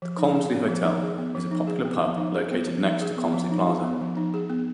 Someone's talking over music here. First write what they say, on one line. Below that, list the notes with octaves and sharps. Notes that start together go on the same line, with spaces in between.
The Colmslie Hotel is a popular pub located next to Colmslie Plaza.
F3
D#4
G#4
B3
F3
D#4
G#4
B3
F3
D#4
G#4
B3
F3
D#4
G#4
B3
F3
D#4
G#4
B3
F3
D#4
G#4
B3
F3
D#4
G#4
B3